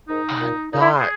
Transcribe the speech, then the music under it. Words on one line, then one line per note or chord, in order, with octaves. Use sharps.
Uh, not,
G#2 D#3 D#4
A#2
A#2 D#4
E4
G#4